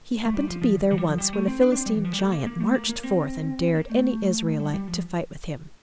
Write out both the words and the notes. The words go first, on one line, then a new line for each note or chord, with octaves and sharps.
He happened to be there once when a Philistine giant marched forth and dared any Israelite to fight with him.
A3
G3
F3
F3
D3
E3
G3
F3
G3
A3
C4
D4
D4
C4
G3
E3
F3
G3
A3
A#3
A#3
A3
A#3
A#3
C4
A#3
A3
G3
G3
F3